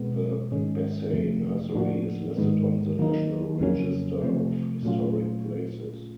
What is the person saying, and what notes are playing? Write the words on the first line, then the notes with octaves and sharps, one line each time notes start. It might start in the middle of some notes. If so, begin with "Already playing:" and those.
The Bessey Nursery is listed on the National Register of Historic Places.
Already playing: B2 G#3 B3
G#2 D#3 G#3 C#4
F2 C3 F3 A3
A2 F3 A#3 D4 F#4
G#2 D#3 G#3 B3
D#3 F#3 A#3 D#4
F2 C#3 F#3 A#3 C#4
C3 F3 A3
A#2 F#3 A3 C#4 F4